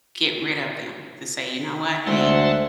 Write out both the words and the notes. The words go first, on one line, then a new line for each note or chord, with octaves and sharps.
get rid of them, to say, "You know what, hey,
D2 G#3 C5 E5 F#5 G#5 A5 C6